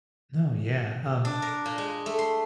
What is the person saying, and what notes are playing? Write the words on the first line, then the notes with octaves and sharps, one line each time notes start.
No. Yeah, um,
D4
A#4
A#2
G#3
A3
C6